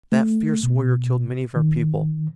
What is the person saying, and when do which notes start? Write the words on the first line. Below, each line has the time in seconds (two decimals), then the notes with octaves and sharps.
That fierce warrior killed many of our people.
0.12 A3
0.63 B2
1.56 D#3